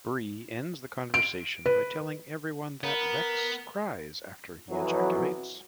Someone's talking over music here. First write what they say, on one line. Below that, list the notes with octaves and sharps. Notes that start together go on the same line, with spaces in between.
Bree ends the conversation by telling everyone that, "Rex cries after he ejaculates".
D7
B4
B3 A#4
F2 B2 E3 F#3